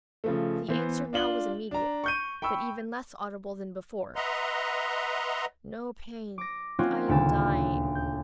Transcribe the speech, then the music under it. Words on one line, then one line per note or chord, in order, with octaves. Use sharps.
The answer now was immediate, but even less audible than before: "No pain--I am dying."
C#3 F3 A3
E3 B3 C5
D4 F4 F#7 G7
D4 A#5
C#6 G6 D#7
G5 B5 C#6 E6
B4 D#5 E5 F#5 A#5 C6
D6 A#6
A#3 C4 C#4 D#4 F4 F#4
D#1 D2 C#3 A4
G6